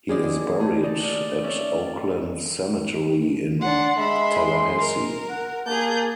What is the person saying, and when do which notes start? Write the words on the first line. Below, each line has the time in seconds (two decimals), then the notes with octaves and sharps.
He is buried at Oakland Cemetery in Tallahassee.
0.09 D#2 G#4 D5
0.60 A3 G#4
0.83 D#4 D5
1.43 C#4 E5
3.61 D4 F#5 C6
3.98 G#3 E5 B5
4.78 A#4
5.29 F#5
5.66 A#3 G#4 A5 G6